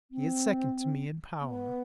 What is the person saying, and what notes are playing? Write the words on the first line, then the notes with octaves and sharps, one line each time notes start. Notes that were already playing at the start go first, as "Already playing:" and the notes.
He is second to me in power.
C4
B3